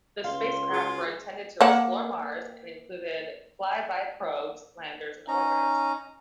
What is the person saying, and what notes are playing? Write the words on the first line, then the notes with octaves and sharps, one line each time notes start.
The spacecraft were intended to explore Mars, and included flyby probes, landers and orbiters.
C#2 F5 C6
F4 F#4 G#4
A#3 F#5
C#4 D#4 A#5